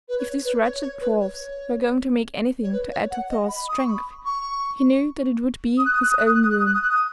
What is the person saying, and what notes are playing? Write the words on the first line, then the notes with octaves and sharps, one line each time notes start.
If these wretched dwarfs were going to make anything to add to Thor's strength he knew that it would be his own ruin.
B4
C#5
B4
C#5
C#5
B4
C#5
C#5
B4
C#5
F#5
D#5
B5
D#6
C#6
B5
C#6
D#6
F#6
D#6
F#6
D#6
F#6
D#6
F#6
D#6
F#6
D#6
F#6
D#6
F#6
D#6